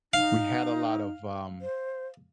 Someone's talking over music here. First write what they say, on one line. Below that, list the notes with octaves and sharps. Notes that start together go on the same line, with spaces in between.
we had a lot of, um,
D#4 F5
C5